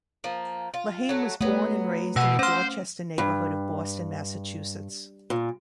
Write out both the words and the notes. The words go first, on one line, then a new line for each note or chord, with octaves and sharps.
Lehane was born and raised in the Dorchester neighborhood of Boston, Massachusetts.
F3 A#3
F4
F#3 A3
F#3 A3 B3 B4
B2 F#5 E6
C4 C#4 C5 C6 F6
G2
A#2